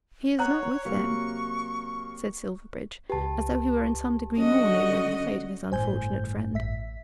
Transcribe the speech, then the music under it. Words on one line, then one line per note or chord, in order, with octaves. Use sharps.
"He is not with them," said Silverbridge, as though he were in some degree mourning over the fate of his unfortunate friend.
C#5 F#5 A#5 C#6 F#6
C3 F#3 A#3 C#6
C#2 G4 B4 A5
D3 F#3 C#4 F#4 D#5
G1 A2 C5 G#5 G6
A1 E5 B6